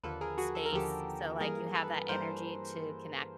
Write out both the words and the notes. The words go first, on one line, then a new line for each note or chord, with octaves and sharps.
space, so, like, you have that energy to connect
D#2 D3 F3 A#3 A4 B4
G#4 A#4
F#4 G#4
A4
A#4
D#2 D3 F3 A#3 G4 A4
G2 E3 G3 A#3 G#4 A#4
A4 B4
G2 E3 G3 A#3 A#4 C5